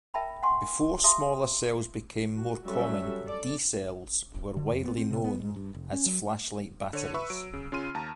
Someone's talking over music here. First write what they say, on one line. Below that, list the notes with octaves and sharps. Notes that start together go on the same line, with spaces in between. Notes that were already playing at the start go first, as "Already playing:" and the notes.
Before smaller cells became more common, D cells were widely known as flashlight batteries.
A#4 E5 G5 A5 B5
F#5 G#5 C6 C#6
G4 E5 F5 A5 C6 D#6
F#4
F#3 G3 C#4 F#4 A4 E5
A4 D5
D3
F2
B3
C4
C3
B3
G#2
G2
F1
C#4
F#3
D3 C#5 D#7
B4 E5 B5 C#6 E6
F#3 D7
C#3
C#3 C#4 F4 C6 F6 D#7
D#2 A5 A#5